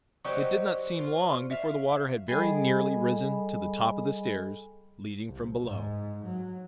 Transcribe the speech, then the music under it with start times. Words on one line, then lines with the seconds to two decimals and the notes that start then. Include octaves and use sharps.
It did not seem long before the water had very nearly risen to the top of the stairs leading from below.
0.25 F#3 D#4 G4 C5 D5 C#6
0.99 F4
1.51 E5 F5
2.28 G3 G#4 A4 D#5 G#5 B5
5.28 C2
5.61 G#2
6.25 F#3